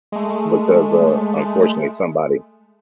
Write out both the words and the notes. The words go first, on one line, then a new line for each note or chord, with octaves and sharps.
because, uh, unfortunately somebody
G#3 A3